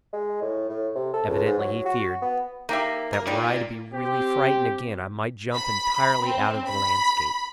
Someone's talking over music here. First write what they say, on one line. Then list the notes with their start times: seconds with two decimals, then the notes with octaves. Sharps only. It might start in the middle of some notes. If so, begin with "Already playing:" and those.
Evidently he feared that were I to be really frightened again I might jump entirely out of the landscape.
0.13 G#3
0.41 A2
0.69 A2
0.96 C3
1.14 A4
1.28 C#2
1.46 G#2
1.59 F#3
1.86 F#4
2.22 B3
2.69 A#3 D#4 G4 E5
3.13 A#4
3.27 G3 D#4 F4 D5
3.93 C4 G4
5.54 B5
6.28 C4
6.69 B5